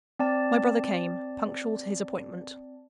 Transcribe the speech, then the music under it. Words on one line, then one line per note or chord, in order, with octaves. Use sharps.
My brother came, punctual to his appointment.
C4 D5 A5